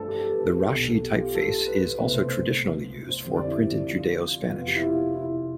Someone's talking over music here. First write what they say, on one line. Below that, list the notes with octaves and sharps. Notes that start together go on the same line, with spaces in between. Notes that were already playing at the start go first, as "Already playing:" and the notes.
The Rashi typeface is also traditionally used for printed Judaeo-Spanish.
Already playing: G2 F3 A3 D4 A4 C5
G4
A4
B4
A4
B1 B2 B3
A4
A4
G4
F4
G4
A4
B4
C2 B2 A3 C4 B4
C5
C5
F2 D3 G3 C4 C5
D5
E4
F4
F4
F1 F2 C3 F3 B3 F4
G4
E4
F4
E4